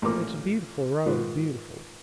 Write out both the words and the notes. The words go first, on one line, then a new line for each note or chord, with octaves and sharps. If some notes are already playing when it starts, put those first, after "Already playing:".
It's a beautiful road, beautiful.
A1 A#2 F3 A#4 D6
G#2 D#3 F4 B4